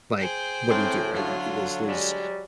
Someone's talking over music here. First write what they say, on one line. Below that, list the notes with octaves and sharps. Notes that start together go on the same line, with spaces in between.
like, what do you do, right? Th there's there's
G#4 C5 G5
A2 C4
D3 F#3 F4
G3 G#3